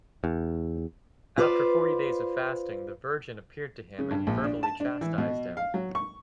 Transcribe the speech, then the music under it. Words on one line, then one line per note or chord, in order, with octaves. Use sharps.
After forty days of fasting, the Virgin appeared to him and verbally chastised him.
E2
F4 B4 C5 D5
C#3
G2
A#1
D4
A5
D4
E3
B2
F5
F#3
C#6